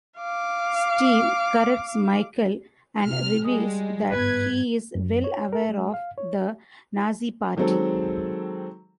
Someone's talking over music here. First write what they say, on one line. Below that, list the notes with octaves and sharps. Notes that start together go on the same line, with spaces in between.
Steve corrects Michael and reveals that he is well aware of the Nazi party.
F5 D6
C3 F6
G3 G#3 D#6
G1 G#2 B3 B4 G#6
F#2
C#5
A#4
G#3
F5
C#5
D#3 F#3 G#3 C4 A4